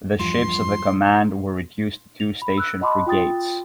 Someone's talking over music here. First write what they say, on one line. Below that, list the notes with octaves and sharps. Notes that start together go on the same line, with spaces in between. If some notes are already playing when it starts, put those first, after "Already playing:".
The ships of the command were reduced to two Station Frigates.
E2 G2 F3 C6
F7
B5
E6 F#6
D#5 F#5 A5 B5 C6 D6
F4 G5 D#6 A6